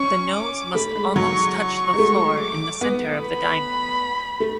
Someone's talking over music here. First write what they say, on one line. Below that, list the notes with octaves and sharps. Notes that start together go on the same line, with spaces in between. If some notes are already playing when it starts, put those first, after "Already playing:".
The nose must almost touch the floor in the center of the diamond.
Already playing: C#4 C#6
D6
A3 B5
G#3
F#3 C#6
C#6
G#3
A3
D6
B3
B5
A3